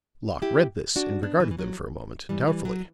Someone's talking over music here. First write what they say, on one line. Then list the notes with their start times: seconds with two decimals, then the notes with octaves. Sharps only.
Locke read this and regarded them for a moment, doubtfully.
0.42 E4 G4
0.96 D4 F#4
1.23 B3 D4
1.40 E3
1.51 E3
1.59 F#3
2.29 E3 G3
2.47 E3 G3
2.65 F#3